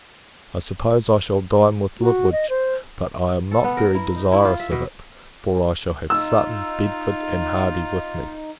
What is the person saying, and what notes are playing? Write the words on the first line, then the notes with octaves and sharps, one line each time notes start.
I suppose I shall dine with Lutwidge: but I am not very desirous of it; for I shall have Sutton, Bedford, and Hardy, with me.
F#4
D#5
C5
A4
B3
A#4
E4
D#4
E4
F4
E5
B2
D#4 F4 E6